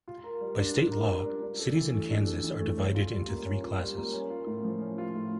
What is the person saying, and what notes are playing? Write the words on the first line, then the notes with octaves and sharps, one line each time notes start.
By State law, cities in Kansas are divided into three classes.
F4
A#4
G3
D4
F4
A#4
G3
D4
D4
A4
E3
A3
D4
A4
E3
A3
C#4
F4
G3
A#3
C#4
F4
G3
A#3
C#4
F4
A2
F3
C#4
F4
A2